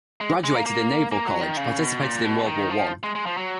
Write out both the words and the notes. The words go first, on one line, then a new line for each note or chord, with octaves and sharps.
Graduated in naval college, participated in World War One.
G#3
G#3
A#3
A#3
A#3
F#3
D#3
C#3
B2
A#2
B2
D#3
F3
G#3
G#3
F3
F#3